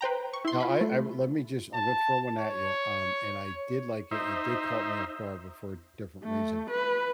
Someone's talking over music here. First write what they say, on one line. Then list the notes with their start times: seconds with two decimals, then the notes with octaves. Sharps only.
Now I I let me just I'm gonna throw one at ya, um, and I did like it, and it did caught me off guard, but for a different reason,
0.01 B4 C5 G5 A#5
0.33 C#6
0.45 E4 C6
0.60 F4 B5
0.81 A3
1.74 A5
2.37 C#5
4.11 D#4 C5 E5
6.24 A3
6.70 B4